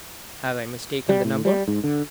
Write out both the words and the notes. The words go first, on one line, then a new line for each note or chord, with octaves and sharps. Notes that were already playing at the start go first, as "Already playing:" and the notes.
Have I mistaken the number?
G3
A2
G3
G#2
D3